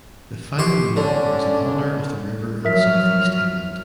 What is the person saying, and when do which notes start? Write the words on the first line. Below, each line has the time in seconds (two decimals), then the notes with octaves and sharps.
The final name was in honour of the river in South East England.
0.59 G4 C6 C#6
0.96 D3 C#4 D4
2.65 F3 F#3 A#4 E5 F6 B6